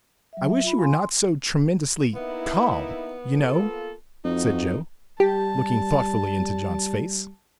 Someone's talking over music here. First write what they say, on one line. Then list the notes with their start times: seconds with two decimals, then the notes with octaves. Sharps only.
"I wish you were not so tremendously calm, you know," said Joe, looking thoughtfully into John's face.
0.33 F#3 E5
0.49 E5
0.64 F4 B5
0.78 F5 G#5 C6
0.91 C6
2.15 A#3 B3 D#4 E4
3.38 A#3 F4 A4
4.24 F2 E3 D#4 F#4
5.20 G3 G4 A5